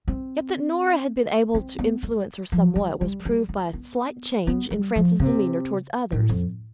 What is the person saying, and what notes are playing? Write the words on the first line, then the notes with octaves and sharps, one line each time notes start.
Yet that Nora had been able to influence her somewhat was proved by a slight change in Frances' demeanor towards others.
C4
C4
B3
A3
F3
G3
G3
G3
A3
B3
B3
G3
F3
C3
A2
F2